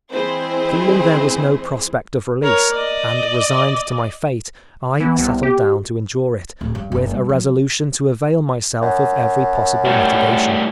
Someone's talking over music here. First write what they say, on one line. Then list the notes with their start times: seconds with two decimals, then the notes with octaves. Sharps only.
Feeling there was no prospect of release, and resigned to my fate, I settled down to endure it, with a resolution to avail myself of every possible mitigation.
0.12 E3 G#3 C4 E4 G#4 C5
2.43 A#4 C#5
2.72 D5 D#5
5.00 E3 B3
5.18 C2
5.43 G4
6.61 D1
6.75 G2
6.92 F#1
7.11 G3
7.29 F#3
8.82 F#2
9.85 A2 G3